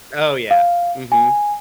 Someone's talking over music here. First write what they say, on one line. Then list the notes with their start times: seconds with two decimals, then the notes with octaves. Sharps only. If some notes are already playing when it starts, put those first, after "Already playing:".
Oh, yeah, mhm.
0.51 F5
1.12 G#5